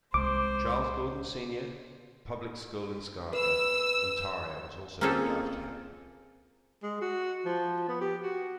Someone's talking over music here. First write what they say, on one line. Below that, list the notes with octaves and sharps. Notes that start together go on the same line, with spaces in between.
Charles Gordon Senior Public School in Scarborough, Ontario was also named after him.
C2 G#3 C5 D6
B4 E6
A#3 C4 C#4 F4 G#4 A4
G#3
F#4
F3
B3
G4
F#4